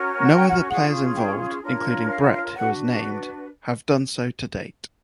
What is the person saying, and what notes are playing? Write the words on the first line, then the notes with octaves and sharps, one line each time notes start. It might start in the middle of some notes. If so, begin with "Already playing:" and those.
No other players involved, including Brett who was named, have done so to date.
Already playing: C#4 F#4 A#4 C#5
F#5
G5
F#5
C#4 F4 G#4 F#5
G5
D4 F4 A#4 C#5
F5
F#5
F5
D4 F#4 B4 F#5